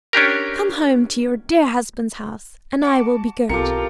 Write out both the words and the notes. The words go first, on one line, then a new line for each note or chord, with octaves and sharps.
"Come home to your dear husband's house, and I will be good."
C#4 D4 G4 A#4
F#4 A5 D6
B1 C4 F4 G4 A4 A#4 D6 C#7